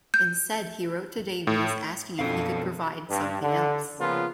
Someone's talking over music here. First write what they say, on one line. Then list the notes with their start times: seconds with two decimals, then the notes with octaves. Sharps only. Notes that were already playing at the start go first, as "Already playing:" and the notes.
Instead, he wrote to Davies asking if he could provide something else.
0.14 G6
1.47 A2
2.19 F#2 B2 F3 C4 D4 F4 A4 F5
3.10 G2
3.42 D3
3.99 C#3 F3 A#3 B3 F4